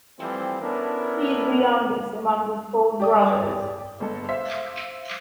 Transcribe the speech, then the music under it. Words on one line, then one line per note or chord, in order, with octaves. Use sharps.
He's the youngest among the four brothers.
E3 F3 G3 A3 C4
B3 C#4 D4 E4 A4 A#4
G4 D5 D#6
G1 G#3 A4
C5 E5 F5 B6